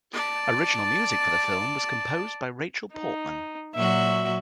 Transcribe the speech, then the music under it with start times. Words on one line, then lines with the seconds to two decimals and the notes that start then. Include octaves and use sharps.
Original music for the film was composed by Rachel Portman.
0.13 D5 A5
2.93 D#4
3.75 A#2 F#3 F#4 E5